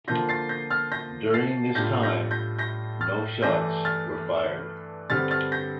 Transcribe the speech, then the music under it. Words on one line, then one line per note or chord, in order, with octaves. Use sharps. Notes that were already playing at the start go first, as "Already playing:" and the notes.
During this time, no shots were fired.
D3 F3 A#3 F4 G6 A#6
A6 C7
G6 A#6
F6 A6
G6 A#6
A6 C7
A2 G3 D4 F4 G6 A#6
G6 A#6
G6 A#6
G6 A#6
F6 A6
G2 E3 A3 D4 G6 A#6
F6 A6
G2 D3 G3 C4 F6 A6
F6 A6
G6 A#6